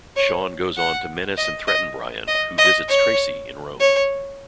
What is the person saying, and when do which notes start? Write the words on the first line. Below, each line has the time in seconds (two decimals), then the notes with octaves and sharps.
Sean goes on to menace and threaten Brian, who visits Tracy in Rome.
0.16 C#5
0.77 F#5
1.38 D#5
1.68 D#5
2.28 D#5
2.58 D#5
2.89 C#5
3.80 C#5